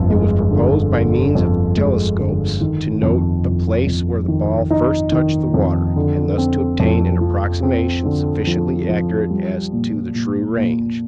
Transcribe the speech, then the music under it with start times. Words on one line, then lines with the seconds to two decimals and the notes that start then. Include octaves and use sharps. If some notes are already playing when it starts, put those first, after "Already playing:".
It was proposed, by means of telescopes, to note the place where the ball first touched the water, and thus to obtain an approximation sufficiently accurate as to the true range.
Already playing: G1 F2
0.10 G#3
0.51 D3
0.93 D3
1.35 F2
1.77 G#3
2.19 D3
2.61 D#3
3.03 F2
3.45 F2
3.87 F2
4.28 D#3
4.71 D#4
5.12 D#3
5.54 F2
5.96 D3
6.38 C4
6.80 F2
7.21 F3
7.63 C4
8.05 D3
8.47 F3
8.89 F3
9.30 G3
9.72 A#2
10.15 A#2
10.57 A#2